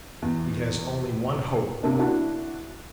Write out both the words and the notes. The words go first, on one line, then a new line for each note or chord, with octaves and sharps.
He has only one hope.
E2
C3 A#3 D4
D4 E4 F#4